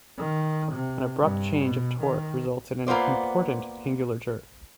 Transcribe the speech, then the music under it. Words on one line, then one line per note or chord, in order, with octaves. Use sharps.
An abrupt change of the torque results in an important angular jerk.
D#3
C3
G2
B2
D#3
A#3 B3 F4 C5 D5